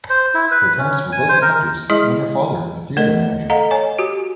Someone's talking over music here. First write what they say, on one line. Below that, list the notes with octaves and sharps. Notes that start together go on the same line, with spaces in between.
Her parents were both actors and her father a theatre manager.
C5
E4
B4
C#4
G#5
C5
A#4
G#3 E4 G#4 D#5
A3 A#4 D#5
A4 D#5 F5 F#5 A#5
C#5 G#5
F#4 G4